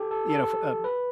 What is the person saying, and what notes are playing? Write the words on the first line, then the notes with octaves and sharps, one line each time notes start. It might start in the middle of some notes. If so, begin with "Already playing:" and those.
you know, f uh
Already playing: G4 A4
A4
A4
B4